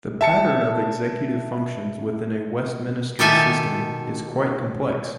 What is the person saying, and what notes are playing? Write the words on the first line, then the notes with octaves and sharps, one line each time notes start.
The pattern of executive functions within a Westminster System is quite complex.
E5 A5 C#7
B2 D#3 G4 A4 E5 G#5